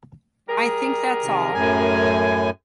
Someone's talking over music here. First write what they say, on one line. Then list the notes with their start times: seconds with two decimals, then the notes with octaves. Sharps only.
I think that’s all.
0.49 G3 G#4 A#4
1.22 C3 D#3
1.54 F#2 A2 G#5